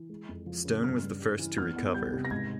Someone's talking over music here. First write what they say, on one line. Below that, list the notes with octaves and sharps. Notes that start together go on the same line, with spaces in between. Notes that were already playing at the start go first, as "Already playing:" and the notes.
Stone was the first to recover.
Already playing: E3
G#3
F2
F3
C#3
G2 F6
G2
G3
E3
E2 F6
E2
G3 G6
C3
A#6
G#2 G#6